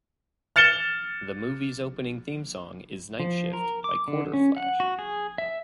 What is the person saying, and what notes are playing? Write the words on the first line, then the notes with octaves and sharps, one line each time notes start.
The movie's opening theme song is "Night Shift" by Quarterflash.
F6 A6 C#7 E7 G7
F3
A#4
D6
D3
C#4
F#5
F#4
G#4
E5